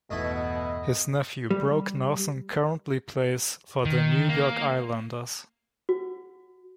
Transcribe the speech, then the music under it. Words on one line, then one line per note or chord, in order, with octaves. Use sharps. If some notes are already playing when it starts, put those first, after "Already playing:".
His nephew, Brock Nelson, currently plays for the New York Islanders.
G1 E2 B2 A3 D#4 E4 D#5
G3
D#3
A#3
F#4